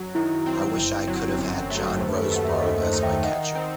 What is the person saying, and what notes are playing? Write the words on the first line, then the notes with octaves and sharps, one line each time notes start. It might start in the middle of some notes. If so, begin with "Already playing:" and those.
I wish I could have had John Roseboro as my catcher.
Already playing: F#2 F#3
D#3 E4
C4
G1
F#3
F#2
A3
D#2 C5
B4
A4
G4 B4
A3 F#5
E5
D#5
D#3 A4 C5
A4 C5
D#4
E5 G5
D#3 D#5 F#5
C4